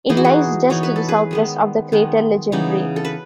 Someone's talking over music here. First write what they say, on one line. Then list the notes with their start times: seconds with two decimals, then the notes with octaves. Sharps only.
It lies just to the southwest of the crater Legendre.
0.09 E3 B3 D#4 G#4
0.17 F#4
0.25 G#4
0.70 E3 B3 D#4 C#5
0.83 B4
0.96 A4
1.08 G#4 B4
1.31 D#3 G#3 B3
1.92 D#3 G#3 B3
2.52 C#3 E3 B3 D#4
2.96 A4
3.05 B4